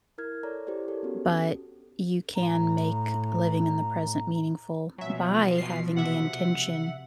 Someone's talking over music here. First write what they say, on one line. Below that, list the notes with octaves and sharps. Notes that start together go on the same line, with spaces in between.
But you can make living in the present meaningful by having the intention
E4 A#4 F6 G#6
A4 C#5 D5 A#5
E4 G4 G#4 C5 D5
G4 A4 A#4 C#5
B3 C#4 F#4
C#4 G4 A4
A2 A#5
B2 F3 F#3 C#4 E5
F4 C7
C3 E5 F#5